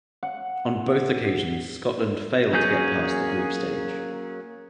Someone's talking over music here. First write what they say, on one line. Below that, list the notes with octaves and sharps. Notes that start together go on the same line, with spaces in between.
On both occasions Scotland failed to get past the group stage.
F#5
F#3 A#3 C#4 G#4 G6